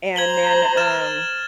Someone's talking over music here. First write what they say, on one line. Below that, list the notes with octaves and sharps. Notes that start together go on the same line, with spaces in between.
and then, um,
C5 A#5 G#6 F#7 G7
F6 A6 E7